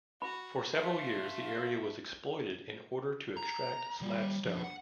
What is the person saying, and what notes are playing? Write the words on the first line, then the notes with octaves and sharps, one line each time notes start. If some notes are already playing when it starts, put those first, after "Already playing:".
For several years the area was exploited in order to extract slab stone.
F#4 B5
A3 F5 C6
A#5
D#3 G3
F3 D4
F#5